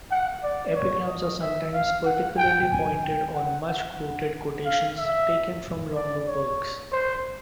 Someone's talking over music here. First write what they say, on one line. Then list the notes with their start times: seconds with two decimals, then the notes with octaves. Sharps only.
Epigrams are sometimes particularly pointed or much-quoted quotations taken from longer works.
0.11 F#5
0.43 D5
0.75 C#5
1.09 D#5
1.41 E5
1.74 F5
2.06 F#5
2.38 G5
2.71 G#5
3.02 G5
3.35 F#5
3.67 F#5
4.65 F5
4.97 E5
5.95 D5
6.27 C#5
6.92 C5